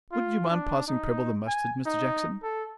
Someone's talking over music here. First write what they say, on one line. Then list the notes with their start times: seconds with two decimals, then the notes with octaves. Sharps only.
Would you mind passing Prebble the mustard, Mr Jackson?'
0.12 F4
0.50 D4
0.88 D#4
1.47 G#5
1.86 D#4
2.43 A4